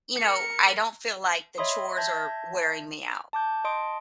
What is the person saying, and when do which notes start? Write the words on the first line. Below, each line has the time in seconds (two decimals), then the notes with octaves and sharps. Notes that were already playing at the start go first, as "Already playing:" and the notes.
you know, I don't feel, like, the chores are wearing me out
0.16 A#4 C#7
1.58 C#5 D#5 E5 B5 C6 D#6
1.96 E5 A5 G6 G#6 A#6
3.33 A5 D6 G6
3.64 D#5 A5 C6 D#6 D7